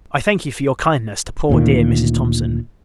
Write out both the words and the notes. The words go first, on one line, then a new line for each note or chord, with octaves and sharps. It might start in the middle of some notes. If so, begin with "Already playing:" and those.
I thank you for your kindness to poor dear Mrs. Thomson.
D2 A#2 D#3